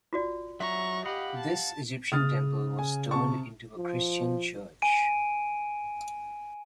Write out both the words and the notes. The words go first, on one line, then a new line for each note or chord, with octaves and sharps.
This Egyptian temple was turned into a Christian church.
F4 F#4 D5
F#3 E5 A#5 C#6
G4 D#5 F5 F#5 B5
A5
C#3 D#6 F6 A6
G#5
C3 A5 C#6
F3
G#5 D7 D#7